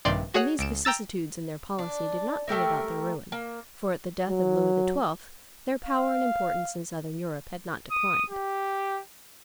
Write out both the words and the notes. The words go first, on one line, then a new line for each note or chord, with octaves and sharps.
And these vicissitudes in their policy did not bring about their ruin, for at the death of Louis XII. their power and importance in Southern Europe had not declined.
A#1 G2 C3 D#3 D5 C6
F#4 G#4 C#5 F#5
C#2 D7 E7
G5 A#5 E6 A6
D4
A3 G4 A#4 E5
A#3
F#3
F5
D#6
G4